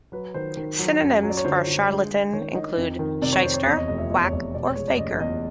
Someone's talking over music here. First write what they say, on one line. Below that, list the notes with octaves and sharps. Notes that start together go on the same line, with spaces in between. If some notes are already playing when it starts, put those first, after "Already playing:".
Synonyms for "charlatan" include "shyster", "quack", or "faker".
F#3 B4
D#3 C5
D#3
F#3
F#2
F#3
D5
C#5
D3 C5
D3
G#3
G#3
D#3 C#5
D#3 D#5
F2
D#3
C3 D5
C#5
F2 C5
C#5
E2 C#5
D#5
F1 D#5
E5
E2 D#5
C#5
F1 D5
B2 D5
C#5
G#3 C#5
D5
F#1 D#5
E2 D#5